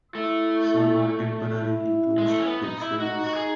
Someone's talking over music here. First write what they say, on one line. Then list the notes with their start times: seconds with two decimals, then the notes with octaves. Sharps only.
Some are temporarily closed to swimmers.
0.15 A3 E4
1.57 E4
2.18 G#3
2.28 A3
2.39 C#4
2.46 B3
2.64 D#4
2.82 E4
2.99 D#4 F#4
3.26 F#4
3.36 G#4